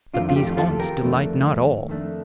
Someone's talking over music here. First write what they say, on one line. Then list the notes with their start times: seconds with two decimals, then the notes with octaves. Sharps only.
But these haunts Delight not all.
0.14 F2 D#3 A3 D4 F4
0.29 F4
0.36 G4
0.57 F4 A4
0.79 G4 A#4
1.02 F2 D#3 A3 D4
1.88 F2 D#3 A3 D4